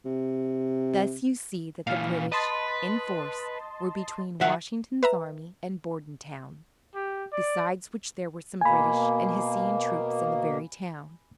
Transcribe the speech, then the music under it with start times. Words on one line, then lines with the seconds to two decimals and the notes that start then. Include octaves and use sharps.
Thus you see that the British, in force, were between Washington's army and Bordentown, besides which there were some British and Hessian troops in the very town.
0.05 C3
1.87 A#2 E3 F5
2.32 B4 D#5 A5 C6
4.41 F3 F#3 E5 F#5
5.03 B4 E5 A#5
6.95 G4
7.33 D5
8.61 B2 A#3 G#5 B5